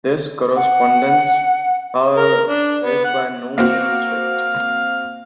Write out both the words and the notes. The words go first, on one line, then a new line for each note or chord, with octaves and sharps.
This correspondence, however, is by no means strict.
F#5
A#4
D4
B3
F#5
A#3 C4 F#4 F5